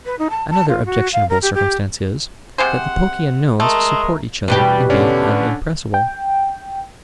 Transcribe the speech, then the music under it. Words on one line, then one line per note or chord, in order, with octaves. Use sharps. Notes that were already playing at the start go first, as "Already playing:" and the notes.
Another objectionable circumstance is, that the pokey unknowns support each other in being unimpressible.
B4
D#4
A5
A5
F4
F#4
F5
A#4
G4
G4
C3 G#4 C5 F#5
G#3 A3 A#4
E2 B2 G3 G4 B4
D3 C#4 D4
G5